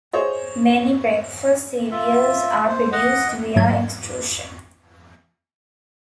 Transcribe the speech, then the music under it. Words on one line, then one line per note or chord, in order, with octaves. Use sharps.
Many breakfast cereals are produced via extrusion.
G#4 C5 C#5 D#5
F4 E5
C5
D#5 F#5
G#2 F#3 A3 G#6